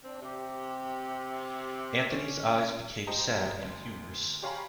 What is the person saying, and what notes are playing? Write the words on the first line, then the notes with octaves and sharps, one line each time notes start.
Anthony's eyes became sad and humorous.
C4 D4
C3 G4
C#4
G4 C5 D#5 A#5
D2
G4 C#5 F5 G#5 A#5 B5